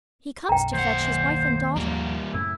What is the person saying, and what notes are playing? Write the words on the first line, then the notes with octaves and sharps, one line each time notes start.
"He comes to fetch his wife and daughter."
B1 F#2 G5 A#5
D#2 C5 F#5
D#2 G#2 F3 G3 A#3
F#2 A2 C#3 E4